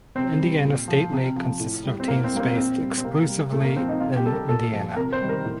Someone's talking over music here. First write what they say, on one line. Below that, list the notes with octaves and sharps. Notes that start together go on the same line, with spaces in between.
The Indiana State League consisted of teams based exclusively in Indiana.
C3 C4
G3
A#2
F3
C3
F3
A2
G3
C4
A2 A#3
C4
G3 A#3
C4
A#2 C4
G3
C4
C3 A#3
G3
A#2 A3
A#3
F3 C4
D#4
C3 F4
G4
G3 A4
A#4
A#2 A4
F3
C3 A#4
C5
D#3 G3
A#4
A2